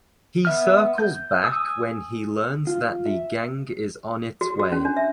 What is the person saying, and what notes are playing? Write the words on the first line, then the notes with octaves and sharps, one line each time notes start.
He circles back when he learns that the gang is on its way.
B3 E5 F6
G6
G#5 D#6 E6
F4
E5
F#4
F#4
C#4
D4
E5